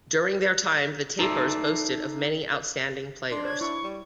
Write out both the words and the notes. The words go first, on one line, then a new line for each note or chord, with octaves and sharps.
During their time, the Tapers boasted of many outstanding players.
D#4 A4 C5 D5 E5
D4 C6
C5 C#5 G#6
E4 C#6
G3